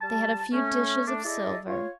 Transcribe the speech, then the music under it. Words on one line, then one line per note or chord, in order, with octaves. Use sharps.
They had a few dishes of silver.
G3 A5
A3 C#4
A3 D4
E4 G#4 A4 D5 D#5
F4 C#5